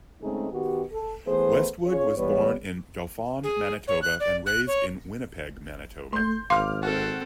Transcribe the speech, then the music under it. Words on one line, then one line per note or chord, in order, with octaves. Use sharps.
Westwood was born in Dauphin, Manitoba and raised in Winnipeg, Manitoba.
C#3 G#3 A3 C4 D#4 G#4
D#3 B3 F#4 G4
A4
E3 A3 B3 G#4 B4 C5
C#4 F4 G#4 C#5
E3 G3 B3 B4 C#5
G#4
C#5
F#6
D5
F#6
C#5
A3 C6 G6
G#1 F5 C6 D6 F6
C4 F#4 A4